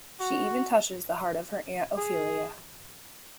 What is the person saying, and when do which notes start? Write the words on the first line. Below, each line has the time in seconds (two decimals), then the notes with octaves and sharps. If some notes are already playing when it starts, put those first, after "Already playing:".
She even touches the heart of her Aunt Ophelia.
0.20 F#4
1.97 G#4